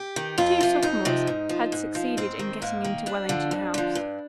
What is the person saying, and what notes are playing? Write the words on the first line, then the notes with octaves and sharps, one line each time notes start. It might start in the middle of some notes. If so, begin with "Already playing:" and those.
Two sophomores had succeeded in getting into Wellington House.
Already playing: G4
D#3
F2 F4
C3 F3
F2 D#4
C3 F3
G#2
F3
G#2
F3
G#2 C4
D#3
G#2 A#3
D#3
F2 D4
D3 F3
F2
D3 F3
G2